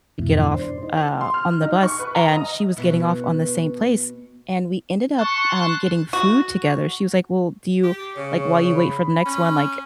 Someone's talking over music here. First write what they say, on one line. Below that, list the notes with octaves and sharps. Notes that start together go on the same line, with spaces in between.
to get off, uh, on the bus, and she was getting off on the same place, and we ended up, um, getting food together, she was like, "Well, do you Like, while you wait for the next one, like,
F2 G#2 B2 E3
D4 C5
D#4
C6
F6
D#4
C#6
B4
A#5
D#5
B2 B3 E4
A5 C6 C#6 F#6
F#4
G4
C#3 C#5
B5
C#4